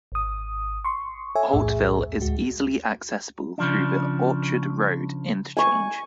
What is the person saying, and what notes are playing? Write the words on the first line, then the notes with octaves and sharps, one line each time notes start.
Holtville is easily accessible through the Orchard Road interchange.
G#1 D#6
C6 C#6
A4 C#5 E5 G#5
B1 E2 A2 G#4 E5
D2 G#3 F#4
C#3 F3 D4
G#5 C#6